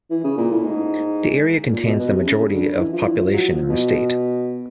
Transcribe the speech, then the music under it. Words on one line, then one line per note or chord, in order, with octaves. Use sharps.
The area contains the majority of population in the state.
E3
C#3
A#2
A2
G#2
A#2
B2
B2
C3
C#3
D3
E3
F3
E3
F3
F#3
F3
B2